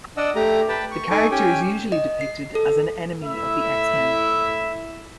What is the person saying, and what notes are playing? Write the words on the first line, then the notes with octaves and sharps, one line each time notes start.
The character is usually depicted as an enemy of the X-Men.
D4 D5 D#5 F#5 E6
A3 G4 A#5
B4 G5 A5
C#6
D#4 A4 G#5 C#6 D6
C#4 G4 G5 G#5
D#5
C7
A4
A2 E4 E5